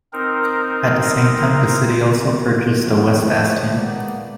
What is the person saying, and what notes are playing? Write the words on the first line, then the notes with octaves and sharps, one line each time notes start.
At the same time the city also purchased the West Bastion.
C4 D#4 A#4
F2 D#3 F3 A3
G#3 A#3 B3 D5